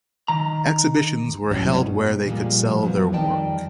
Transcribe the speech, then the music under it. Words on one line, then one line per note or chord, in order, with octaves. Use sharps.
Exhibitions were held where they could sell their work.
D#3 A#5
F2 A2 F#3 G3 C#4
G2 B2
A#2 F3 G3 G#3
F3 F#3 B3
F2 D#3 G3 D5 G5 A5